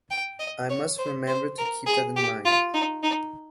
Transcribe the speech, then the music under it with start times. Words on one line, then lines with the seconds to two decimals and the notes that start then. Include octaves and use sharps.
"I must remember to keep that in mind".
0.11 G5
0.39 D#5
0.69 C#5
0.98 C5
1.27 C5
1.58 A#4
1.86 G#4
2.16 G4
2.45 F4
2.74 D#4
3.03 D#4